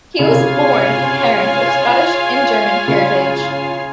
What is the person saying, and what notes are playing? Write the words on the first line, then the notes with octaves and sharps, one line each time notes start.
He was born to parents of Scottish and German heritage.
C#3 F4 G#4 C#5 F5 G#5
C3
C#3
C#3